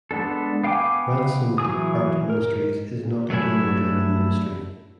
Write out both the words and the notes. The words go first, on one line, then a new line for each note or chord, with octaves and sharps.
Ransomed Heart Ministries is not a donor-driven ministry.
G#3 B3 D4 A4
B3 F5 G5 G#5 D6
E3 F#3 G#4 D#6
A#4
F#3 A3 D4 E4 G#5